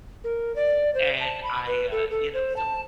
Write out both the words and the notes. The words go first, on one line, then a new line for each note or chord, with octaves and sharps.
and I, uh, you know, so
A#4
D5
C5
A5
B5
B4
A4
A4
C5
A5